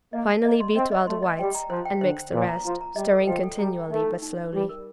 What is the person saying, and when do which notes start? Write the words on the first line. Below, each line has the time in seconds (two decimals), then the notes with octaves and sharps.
Finally beat well the whites, and mix the rest, stirring continually but slowly.
0.13 A#3 D#5
0.29 A5
0.44 A#3 D#5
0.60 C6
0.75 C4 D#5
0.92 D#5
1.07 A3 C6
1.23 D#5
1.39 G3 G5
1.55 A#5
1.70 F3 C5
1.85 G5
2.01 D3 C5
2.17 C5
2.33 A#2 C5
2.49 A#5
2.64 F3 A#5
2.81 A#5
2.96 G3 D#5
3.12 A4
3.27 F3 G5
3.43 A4
3.58 G3 A#5
3.75 G5
3.90 A3 D#4
4.07 D#4
4.22 D#4
4.37 D#4
4.53 G3 G4
4.69 A#4